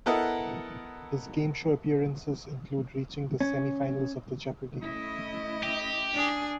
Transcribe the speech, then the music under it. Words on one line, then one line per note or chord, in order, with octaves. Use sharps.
His game show appearances include reaching the semi-finals of the Jeopardy!
B3 E4 A4 A#4 D#5 F#5
C#4
A3 C#4 E4 D#5
G4
D4 G#4